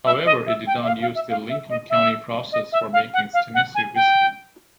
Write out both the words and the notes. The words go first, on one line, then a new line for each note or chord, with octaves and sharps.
However, it did not use the Lincoln County Process for making its Tennessee whiskey.
E5
D#5
E5
G5
E5
F5
F5
E5
F5
E5
D#5
E5
D#5
E5
F5
F#5
F5
F#5
G#5
G5